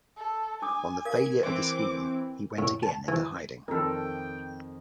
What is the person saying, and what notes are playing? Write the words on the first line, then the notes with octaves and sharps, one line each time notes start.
On the failure of the scheme he went again into hiding.
A4
D4 G#5 D6 D#6
A#4 F5 G#6
E3 C4 D6
A2
A5
E3
F2 D#3 A4 A#4 G5